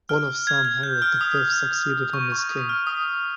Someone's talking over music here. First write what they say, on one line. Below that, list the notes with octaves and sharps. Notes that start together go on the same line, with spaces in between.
Olav's son Harald the Fifth succeeded him as King.
F6
G#6
G#6
G6
F6
D#6
C#6
C#6
D#6
F6
D#6